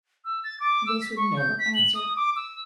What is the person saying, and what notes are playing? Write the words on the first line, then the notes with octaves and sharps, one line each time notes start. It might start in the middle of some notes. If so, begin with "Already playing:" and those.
This would never answer.
E6
A6
D6
E6
B6
C#6
G6
B6
F#7
D#6
D6
E6